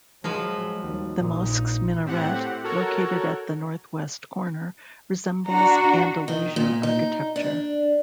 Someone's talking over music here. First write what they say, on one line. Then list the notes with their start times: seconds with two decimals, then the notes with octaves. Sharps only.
The mosque's minaret, located at the northwest corner, resembles Andalusian architecture.
0.24 F3 F#3 G#3 F#4 B4
0.83 D#2 F#3 G3
1.21 A#1 A#2 D#4
2.05 A2 C4 G4 F#5
2.64 F#4 A4 A#4 C#5
5.46 D4 F#4 A#5
6.28 D#3
6.56 A#2
6.83 D#4
7.36 D4